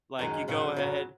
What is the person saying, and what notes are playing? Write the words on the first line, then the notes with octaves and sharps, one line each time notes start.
Like, you go ahead,
F#2 D#3 G#3
F#2 C#3 F#3
F#2 C#3 F#3